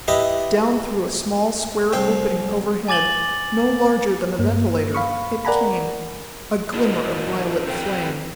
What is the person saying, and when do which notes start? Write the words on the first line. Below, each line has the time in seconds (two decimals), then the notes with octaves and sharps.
Down through a small, square opening overhead, no larger than a ventilator, it came ... a glimmer of violet flame!
0.08 E4 G4 B4 D#5
1.93 C2 C4 G5
2.88 G#5 D6 A6 F#7 G7
4.39 G2 A#3
4.94 F5 B5 C#6
5.45 A#4 D5 F#5 G#5 A#5 B5
6.74 D4 E4 F#4 A#4 D#5
7.66 C4 D#4 A4 B4 F5 G5